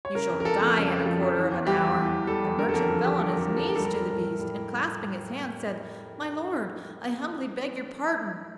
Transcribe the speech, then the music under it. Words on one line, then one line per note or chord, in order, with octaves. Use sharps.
You shall die in a quarter of an hour." The merchant fell on his knees to the beast, and clasping his hands, said, "My lord, I humbly beg your pardon.
C#5
C#3 A#4
F2
A#4
F3 A4
F2
C#3
F2
F3 A4
F2
E3
E2
G3 G4
E2
E3
E2
G3 A4
E2
D3 A#4
A4
F2 A#4
F3 A4
F2 G4
D3 A4
A#4
F2 A4
F3 A#4
A4
F2 A#4
G3 A4
A#4
G3 A4
A2 A#4
A2
G3